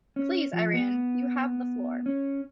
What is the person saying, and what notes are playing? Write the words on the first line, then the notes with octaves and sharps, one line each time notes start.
Please, Iran, you have the floor.
C#4
F3
B3
C#4